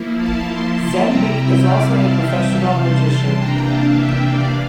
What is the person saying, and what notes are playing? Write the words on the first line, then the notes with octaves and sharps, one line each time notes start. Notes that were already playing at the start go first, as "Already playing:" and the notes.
Zembic is also a professional magician.
Already playing: F3 A#3 E4
F5 A5
A5 C6
C3 G3 C4 E4 G5 A#5
E5 G5
D5 F5
F5 A5
C3 E3 G3 E5 G5
F5 A5
A5 C6
C3 E3 A#3 D4 G5 A#5
F5 A5
E5 G5
D5 F5